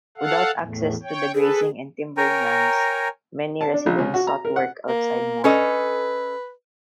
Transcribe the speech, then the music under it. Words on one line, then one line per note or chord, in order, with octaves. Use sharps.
Without access to the grazing and timbering lands, many residents sought work outside Mora.
A4 F5 F#5
E2 A2
C#5 G5
G#4 A4 B4
A#4 C#5 G5 G#5 A#5
A5
D4
A#1
C#2
F#4
A#5
A#4
F#5
A#3
C#4 A4 B4 D#5